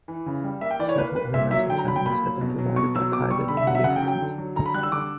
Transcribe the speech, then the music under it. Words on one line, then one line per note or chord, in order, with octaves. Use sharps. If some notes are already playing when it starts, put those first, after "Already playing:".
Several ornamental fountains have been provided by private munificence.
E3
C#3
G3
A#3 E5
G5
E3 D5
C#5
A#3 B4
A#3 B4
A#2 E5
F#3 E5
D3 G5
A#5
F#3 B5
G5
A#2 B5
F#3
B2
F#3
B2 C#6
F#3 E6
B2 D6
G3 C#6
D3 B5
E5
F#3 F#5
E5
C#3 F#5
G5
F#3
G5
D3
F#3
D3 A#5
B5
G3 F#6
E6
D3 D6